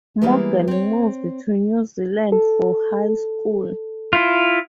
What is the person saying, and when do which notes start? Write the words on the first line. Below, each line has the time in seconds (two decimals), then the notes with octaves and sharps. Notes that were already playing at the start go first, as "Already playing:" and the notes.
Morgan moved to New Zealand for high school.
0.22 E3 G3 G#3 A#3 B3 E4
0.68 C4 C#5
2.32 A4
4.13 E4 F4